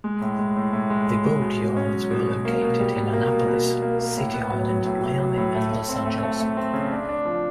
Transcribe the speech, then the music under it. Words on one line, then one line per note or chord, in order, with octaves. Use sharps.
The boatyards were located in Annapolis, City Island, Miami, and Los Angeles.
G#3
A2
G#3
A2
A2
G#3
A2
G#3
B2
B2
C#4
F#3
B2
B2
A#3
B2
G3
B2
A#3
B2
B2
A#3
A#3
A#3
A2
B3
F#3
F#3
A2
A2
F#3
A2
A3
A3
C4
A3
A3
A3
C4
C#3
D4
D4
F3